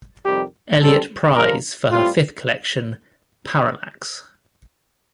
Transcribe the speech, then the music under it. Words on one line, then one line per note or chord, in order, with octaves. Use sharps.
Eliot Prize for her fifth collection "Parallax".
F2 C3 D#3 G3 G4
D3 G3 C4 A4
G2 F3 A#3 A#4
A2 G3 C4 F4